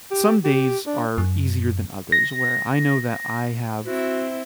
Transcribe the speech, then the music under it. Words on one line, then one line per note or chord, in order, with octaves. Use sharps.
some days are easier than others where I know that I have
G4
G4
D4
F#2
A#6
C4 E4 F#4